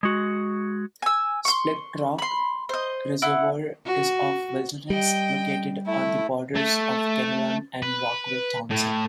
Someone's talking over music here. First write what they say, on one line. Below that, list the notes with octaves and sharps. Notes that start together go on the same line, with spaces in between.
Splitrock Reservoir is of wilderness, located on the borders of Kinnelon and Rockaway Township.
G#3 F#4
G#5 E6
C6 C#6
B5 C6
C5 D#5
E4 F#5
F#4
G3 D#5 G5
A3 E4
A3
B4
A2